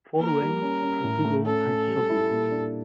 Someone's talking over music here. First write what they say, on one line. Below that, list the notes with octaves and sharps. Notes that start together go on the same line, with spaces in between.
Following are Google and Sogou.
A#3 A#4
G3
C#4
C#4
A2
A3
C#4 A4
C#4
G3
E4
A#2
D4